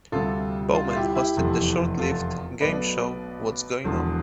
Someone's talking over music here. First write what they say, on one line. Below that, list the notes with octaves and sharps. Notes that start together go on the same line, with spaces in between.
Bowman hosted the short-lived game show What's Going On?
D2 C3 G3 F4 A4
F4
F4
E4 G4
E4 G4
F1 E2 C3 F3 A3
F4 A4
B1 B2 A3 B4 D5
E1 E2 D3 F3